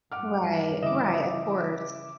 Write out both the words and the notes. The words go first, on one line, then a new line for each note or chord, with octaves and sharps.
Right. Right. Of course.
G2 G3 F#5 D6 F6
C#3 E3 D#5 E5 D6